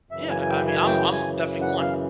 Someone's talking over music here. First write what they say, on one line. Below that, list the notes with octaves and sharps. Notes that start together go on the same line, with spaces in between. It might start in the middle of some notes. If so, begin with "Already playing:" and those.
yeah, I mean, I'm I'm definitely one.
F#2 C#3 E3 E5
G#5
G#5
G5
G#5
G5
G#5
F#5
F5